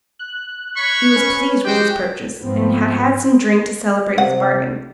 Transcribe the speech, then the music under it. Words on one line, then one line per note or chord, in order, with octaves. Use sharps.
He was pleased with his purchase, and had had some drink to celebrate his bargain.
F#6
C#5 B5 C#6
C#4 B4
G#3 F#4 G4 C5 G5
G#2 F3 B3 C4
C3 F#5